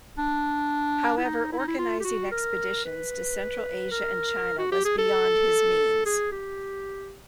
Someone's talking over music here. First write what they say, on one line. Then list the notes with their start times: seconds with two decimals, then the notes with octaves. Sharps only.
However, organising expeditions to Central Asia and China was beyond his means.
0.18 D4
1.17 E4
1.24 D#4
1.52 E4
1.59 D#4
1.68 E4
1.78 F4
2.00 G4
2.04 F#4
2.31 A#4
2.85 B4
3.91 A#4
4.58 F#4
4.72 G4
4.85 G#4
4.98 A4
6.06 G#4
6.32 G4